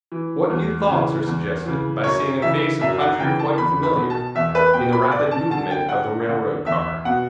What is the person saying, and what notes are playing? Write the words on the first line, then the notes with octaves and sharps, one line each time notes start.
What new thoughts are suggested by seeing a face of country quite familiar, in the rapid movement of the rail-road car!
E3
E2
C#3 E3
E2
C#3 E3
F#2 C#5
C#3 E3 E5
F#2 E5
F#5
C#3 E3 G5
A5
E2 B5
B5
B2
A5
E2 E5
B4
B2 G5
B5
G2 D5
A5
D3 A5
G5
G2 F#5
D3
E2 E5
B2 F#5